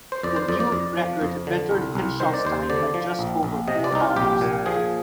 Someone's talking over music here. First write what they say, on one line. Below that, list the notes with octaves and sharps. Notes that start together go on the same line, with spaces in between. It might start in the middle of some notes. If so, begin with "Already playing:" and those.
The new record bettered Henshaw's time by just over four hours.
C5
F2 D5
C5
F2 D5
D5
F2
F3
F2
D3
C2
C2
D#3 C5
D5
D#2 C5
D3 D5
F3
A#1
A#1
C3 D#5
D5
C2 D#4
F4
A#1 G4
A#2
F3 G#4